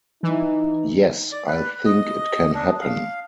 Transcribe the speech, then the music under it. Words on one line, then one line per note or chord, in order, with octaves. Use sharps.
Yes, I think it can happen.
E3 D#4
D5
B4
D#5
D4
F5